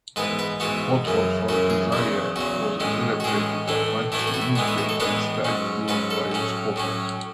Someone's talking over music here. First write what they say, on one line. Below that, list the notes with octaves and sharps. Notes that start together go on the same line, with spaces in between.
"Pothos", or "Desire", was a celebrated and much imitated statue by Scopas.
G#2 E3 B3 B4
B4
G#2 E3 B3 F#4
F#2 C#3 E3
F#2 C#3 E3 F#4
G#4
E2 C#3 F#3 E4
E2 C#3 F#3 F#4
A2 E3 G#3 C#4
F#4
A2 E3 G#3 C#4 G#4
A2 E3 A3 D4
A2 E3 A3 D4 E4
F#4
E4
F#4
E4
A2 E3 G#3 B3 D4
E4
F#4
A4
A2 E3 G#3 B3 D4 B4
G#2 F#3 C#4
G#2 F#3 C#4 B4
A4
A2 F#3 C#4
A2 F#3 C#4